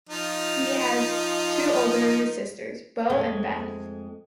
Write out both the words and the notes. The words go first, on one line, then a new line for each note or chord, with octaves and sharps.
He has two older sisters, Bo and Beth.
F3 D#4 F4
F2 G#3 A3